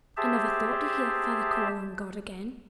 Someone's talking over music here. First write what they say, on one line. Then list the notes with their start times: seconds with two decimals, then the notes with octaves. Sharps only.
'I never thought to hear father call on God again.
0.17 G4 G#4 C5 E5 A5